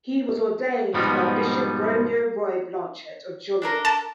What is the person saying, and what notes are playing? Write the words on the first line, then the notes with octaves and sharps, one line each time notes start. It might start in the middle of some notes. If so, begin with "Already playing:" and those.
He was ordained by Bishop Romeo Roy Blanchette of Joliet.
G#2 B2 F3 G3 B3 D#4
D4 A4 A#4
A5